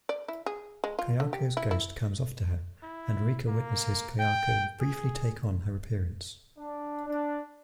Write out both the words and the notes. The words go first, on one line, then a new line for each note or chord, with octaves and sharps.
Kayako's ghost comes after her, and Rika witnesses Kayako briefly take on her appearance.
D5
E4
G#4
G#3
F4
D3
G4
E4
E4
E4
A#3
G5
G#4
D4
D4